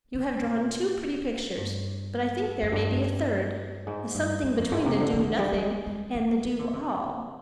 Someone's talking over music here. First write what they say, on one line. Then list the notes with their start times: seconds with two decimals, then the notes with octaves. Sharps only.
You have drawn two pretty pictures; but I think there may be a third--a something between the do-nothing and the do-all.
0.14 D3
0.42 A#2
1.58 G2
2.62 F2
2.72 G2
3.87 G#2
4.14 G2
4.43 G2
4.58 F2
4.72 G#2
4.86 C3
5.00 D3
5.13 F3
5.20 D#3
5.39 G3
5.53 G3
5.58 G#3
5.87 G#3
6.15 A#3
6.45 F3
6.59 D3
6.73 C3